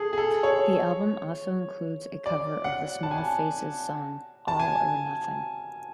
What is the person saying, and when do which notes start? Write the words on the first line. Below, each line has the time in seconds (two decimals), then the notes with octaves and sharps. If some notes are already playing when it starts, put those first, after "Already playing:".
The album also includes a cover of the Small Faces song "All or Nothing".
Already playing: G#4 A4
0.13 G#4
0.18 A4
0.43 C#5
2.26 D5
2.64 F#5
3.03 A5
3.11 G#5
3.18 A5
4.48 A5
4.59 G#5